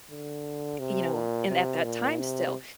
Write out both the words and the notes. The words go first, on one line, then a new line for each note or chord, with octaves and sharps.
you know, and at that time still.
D3
C3
A#2
C3
A#2
C3